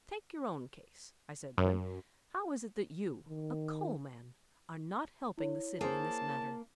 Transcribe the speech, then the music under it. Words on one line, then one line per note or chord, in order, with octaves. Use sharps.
'Take your own case,' I said to him, 'how is it that you, a coal man, are not helping the city in this matter?
F#2
D#3
E4 C#5
A#3 G#4 C5 A5